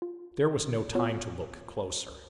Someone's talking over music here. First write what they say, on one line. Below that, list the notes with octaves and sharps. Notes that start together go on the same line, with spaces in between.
There was no time to look closer.
F4
B3 F4 F#4 C#5